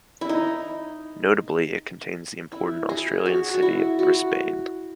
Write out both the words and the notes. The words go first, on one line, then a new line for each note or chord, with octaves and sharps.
Notably, it contains the important Australian city of Brisbane.
E4
D#4
E4
G#4
F#4
F#4
E4
F#4